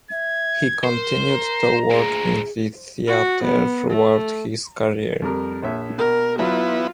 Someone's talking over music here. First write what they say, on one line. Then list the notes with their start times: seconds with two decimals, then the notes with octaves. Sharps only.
He continued to work in the theatre throughout his career.
0.11 E5 G#6
0.84 A#4 C5
1.31 A#5
1.90 D2 A#2 G#4
3.08 F#4
3.44 B3
3.91 A3
5.22 F2 G3 A#4
5.62 A#1 C#5 E5
5.98 B2 A#4
6.39 F#3 B3 E4 F4